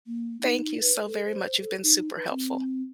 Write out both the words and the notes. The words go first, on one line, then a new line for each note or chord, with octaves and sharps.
thank you so very much, you've been super helpful.
A#3
D#4
B4
A4
C5
A4
D#4
B4
C4